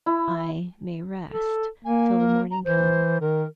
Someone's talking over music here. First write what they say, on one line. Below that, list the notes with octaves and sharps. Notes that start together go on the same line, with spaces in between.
I may rest till the morning comes.
E4
A4
A#3 G#5
A#4
A#5
E3 C5
D#3 A#4